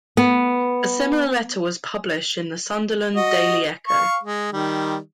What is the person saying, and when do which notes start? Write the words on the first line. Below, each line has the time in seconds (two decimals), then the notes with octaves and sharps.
A similar letter was published in the "Sunderland Daily Echo".
0.17 B3
3.16 F#4 D#5
3.88 F5 C#6
4.23 G#3
4.53 D#3 G3